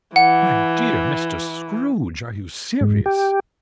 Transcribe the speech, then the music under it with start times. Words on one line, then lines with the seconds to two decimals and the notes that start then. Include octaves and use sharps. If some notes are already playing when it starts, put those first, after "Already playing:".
"My dear Mr. Scrooge, are you serious?"
0.16 E3 F#5
2.81 G#2
3.06 G4